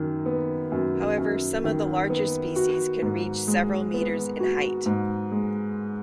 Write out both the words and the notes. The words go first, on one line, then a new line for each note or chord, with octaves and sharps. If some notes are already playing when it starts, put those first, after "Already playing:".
However, some of the larger species can reach several metres in height.
Already playing: F#2 D#3
B3
F#2
F#2
D#3
B3
F#4
G#2
G#3
B3
F#4
G#2
G#3